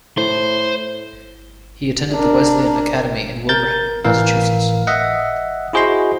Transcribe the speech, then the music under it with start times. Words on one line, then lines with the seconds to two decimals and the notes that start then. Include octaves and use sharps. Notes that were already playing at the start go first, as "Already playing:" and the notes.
He attended the Wesleyan Academy in Wilbraham, Massachusetts.
0.17 A2 C5 C6
2.11 D4 A#4
3.49 A#4 G6 A6
4.05 A2 E3 A#4 F5
4.87 D#5 E5 F#5
5.73 E4 F#4 G#4 C5 D#5 C6